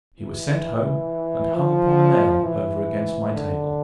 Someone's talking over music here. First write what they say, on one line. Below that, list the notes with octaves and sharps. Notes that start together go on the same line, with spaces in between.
He was sent home, and hung upon a nail over against my table.
E3
F3
E3
D3